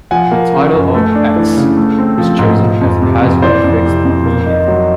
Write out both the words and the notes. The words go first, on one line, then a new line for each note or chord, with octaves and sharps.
The title of "X" was chosen because it has no fixed meaning.
F3 F#5 G#5
A#3
C#3
F#2
A3
D4
E3
C#3
A3
C4
F3
G#2
F3
F2
C3
F2
E3 C5 D5
F2
C3
F2
A#3
D#4
F#3